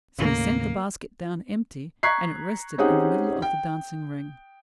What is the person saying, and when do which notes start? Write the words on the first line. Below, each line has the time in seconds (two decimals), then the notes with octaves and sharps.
So he sent the basket down empty, and it rested in the middle of the dancing ring.
0.19 D#2 A2 C#3 A#3
2.03 A#5 C#6 F#6 G#6 B6 C7
2.78 C4 C#4 D#4 G4 G#4 F#5
3.42 G5